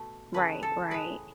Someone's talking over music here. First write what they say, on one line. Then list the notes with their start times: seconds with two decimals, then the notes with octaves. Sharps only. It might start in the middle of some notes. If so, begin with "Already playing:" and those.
Right, right,
Already playing: B2 A3
0.34 C#3 E3 A3 B4
0.63 A4
0.91 A2 G#3 B4